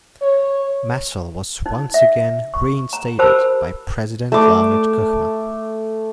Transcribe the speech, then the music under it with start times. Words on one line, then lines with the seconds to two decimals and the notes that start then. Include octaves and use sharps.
Masol was once again reinstated by President Leonid Kuchma.
0.22 C#5
1.66 D#4
1.94 E5
2.54 C#6
2.93 A#5
3.19 G4 A#4 C5 A5 B5 E6
4.32 A3 D6